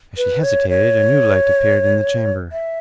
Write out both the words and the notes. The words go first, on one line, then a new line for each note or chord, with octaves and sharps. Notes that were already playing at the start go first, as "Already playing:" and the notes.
As she hesitated a new light appeared in the chamber.
B4
C#5
C#5
E5